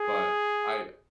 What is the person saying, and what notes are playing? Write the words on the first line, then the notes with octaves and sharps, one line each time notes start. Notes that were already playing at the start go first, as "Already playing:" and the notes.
But I
Already playing: G#4